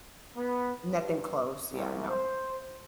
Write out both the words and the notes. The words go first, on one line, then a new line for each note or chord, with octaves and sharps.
Nothing close. Yeah, no.
B3
G2
C2
C5